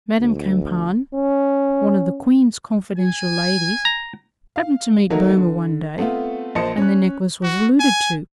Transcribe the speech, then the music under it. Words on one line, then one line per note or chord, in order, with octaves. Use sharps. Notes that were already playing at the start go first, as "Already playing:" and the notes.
Madame Campan, one of the Queen's confidential ladies, happened to meet Boehmer one day, and the necklace was alluded to.
D2
C#4
G#5
A#5
F5
D#3 F#3 A3 A#3 D#4 A#4
D3
A3 B3 C4 F4
A#1 A#3 C5 D#5 A5 C#7
C#4 F#6
F#4
G#5